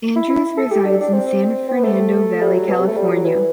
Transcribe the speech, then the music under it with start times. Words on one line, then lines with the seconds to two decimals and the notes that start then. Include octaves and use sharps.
Andrews resides in San Fernando Valley, California.
0.16 E4
0.29 E4
0.57 A4
0.71 G4
0.86 D4
1.01 D4
1.14 C4
1.69 C4
1.77 B3
1.84 A3
2.41 G3
2.55 F#3
2.69 B2
2.79 C3
2.88 A3
2.96 G3
3.11 F#3
3.25 E3